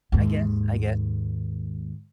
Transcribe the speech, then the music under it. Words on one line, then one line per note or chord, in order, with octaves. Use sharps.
I guess, I guess.
D#2 G#2